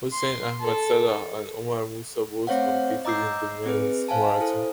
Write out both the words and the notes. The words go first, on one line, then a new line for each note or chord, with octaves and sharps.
Hussein Ahmed Salah and Omar Moussa both competed in the men's marathon.
C6
A4
A3 C4 C5 C#5 F5 F#5
D#5 A#5 D6 E6 G6 C7
C4 G#4 B4
C5 F5 G#5 A5
E4 A4 C5